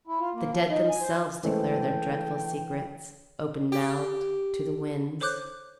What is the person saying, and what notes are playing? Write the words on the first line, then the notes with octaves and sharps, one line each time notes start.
The dead themselves declare their dreadful secrets, open-mouthed, to the winds.
E4
F4
A#3
F3
D#4
G#5
C5
E3 G#3 A3 C5 G5
G4
A4 C5 C#5 D6 F#6 G6